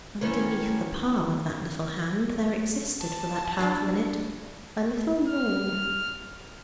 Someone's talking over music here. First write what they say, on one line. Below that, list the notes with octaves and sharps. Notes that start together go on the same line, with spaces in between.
Underneath the palm of that little hand there existed for that half-minute a little yawn.
D#3 E3 C#4
A5
D4 E4 F4
F6